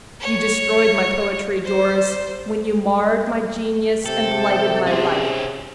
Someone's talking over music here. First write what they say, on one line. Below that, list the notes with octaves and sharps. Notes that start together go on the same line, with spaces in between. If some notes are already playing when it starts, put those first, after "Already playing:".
"You destroyed my poetry, Doris, when you marred my genius and blighted my life!"
C#5
C5
C3 A4 G5
C#4 G#4 C5